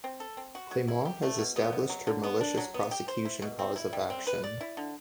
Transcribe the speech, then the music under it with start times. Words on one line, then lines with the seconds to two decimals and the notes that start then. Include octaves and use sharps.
Claimant has established her malicious prosecution cause of action.
0.04 C4
0.20 A4
0.37 C4
0.55 F#4
0.71 F#3
0.88 E4
1.05 G4
1.22 A3
1.39 B2
1.56 B3
1.73 B2
1.90 F#3
2.07 D3
2.23 B3
2.41 D4
2.57 F#3
2.74 B3
2.91 G4
3.08 C5
3.25 E4
3.42 B2
3.59 C4
3.76 E4
3.93 G3
4.10 C4
4.27 B4
4.44 D5
4.61 E4
4.77 D3